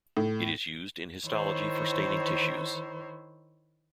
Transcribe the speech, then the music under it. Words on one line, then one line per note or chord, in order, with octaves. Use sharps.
It is used in histology for staining tissues.
A2
D#3 E4 C5 C#5